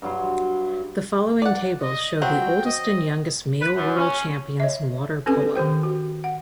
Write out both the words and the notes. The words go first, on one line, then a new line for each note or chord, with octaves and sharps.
The following tables show the oldest and youngest male world champions in water polo.
G2 F#3 C6
D5 F#5
D#5
F#3 C4 F#4 G5
D#5
B4
F#2
C#4
C#5 D#5 E5
C4 C#4 G4 A4 B4 G#5
D#3 G4 C5 G5
F#4
F#5